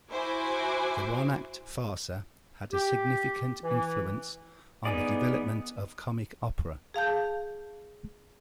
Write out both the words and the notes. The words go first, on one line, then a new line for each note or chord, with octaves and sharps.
The one-act farsa had a significant influence on the development of comic opera.
E4 F#4 C5 G#5 D6
G4
E3
B3 D#4 G#4 D5
G#4 F5 A5 G6